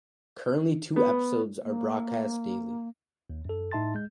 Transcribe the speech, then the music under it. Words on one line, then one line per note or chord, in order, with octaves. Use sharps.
Currently two episodes are broadcast daily.
B3
A#3
D#2
F#2 A4
A2 D#4 E5 A5 C6 A6
G#3 G6